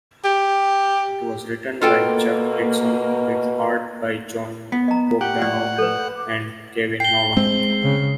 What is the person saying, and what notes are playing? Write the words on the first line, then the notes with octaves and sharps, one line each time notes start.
It was written by Chuck Dixon, with art by Jon Bogdanove and Kevin Nowlan.
G4
B2 A#3 F4 A4 G5
B3
D#5 A#5
G4 F#5
A2 D5
A4 B4
G5 C7 G7
G#3 C4
C#3